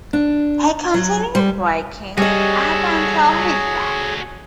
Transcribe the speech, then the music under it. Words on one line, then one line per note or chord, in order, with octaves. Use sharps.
He continued working up until his death.
D4
F#3
G3
G3 F#4 G#4 A4 C#5 D#5